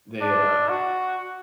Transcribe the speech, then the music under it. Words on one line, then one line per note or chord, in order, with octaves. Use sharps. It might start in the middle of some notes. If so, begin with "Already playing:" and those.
They, uh,
D4
F#4